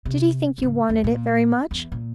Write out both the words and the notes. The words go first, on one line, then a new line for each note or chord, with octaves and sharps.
'Did he think you wanted it very much?'
C3
G#2 C#3
D#2
A#2
E2
A#2